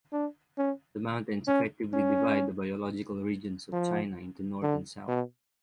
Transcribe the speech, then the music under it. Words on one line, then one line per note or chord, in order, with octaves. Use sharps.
The mountains effectively divide the biological regions of China into north and south.
D4
C#4
C#4
C#4
F3
D3
B2